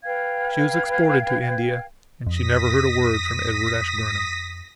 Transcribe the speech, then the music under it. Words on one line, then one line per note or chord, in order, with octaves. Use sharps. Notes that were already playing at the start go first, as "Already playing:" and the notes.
She was exported to India and she never heard a word from Edward Ashburnham.
B4 F5 G5 G#6
F2 D#6 A#6 B6